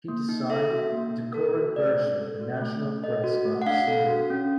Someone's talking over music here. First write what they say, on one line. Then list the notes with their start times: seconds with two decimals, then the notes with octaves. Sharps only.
He designed the current version of the National Press Club seal.
0.08 A#3
0.29 D#4
0.50 A4 E5
0.71 F#4
0.92 A#3
1.13 D#4
1.34 A4
1.56 F#4
1.76 A3 D5
1.98 D4
2.19 A4
2.40 F#4
2.61 A3
2.82 D4
3.03 A4 D#5
3.24 F#4
3.45 A3
3.62 F#5
3.66 D4 F5
3.87 A4
4.08 F#4
4.30 C#4